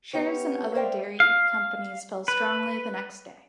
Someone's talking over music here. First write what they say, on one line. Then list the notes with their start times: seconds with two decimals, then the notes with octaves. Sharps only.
Shares in other dairy companies fell strongly the next day.
0.13 B3 C#4 G4 C#5
0.75 C5 D5 E5 F5 G5
1.20 F5
2.28 B4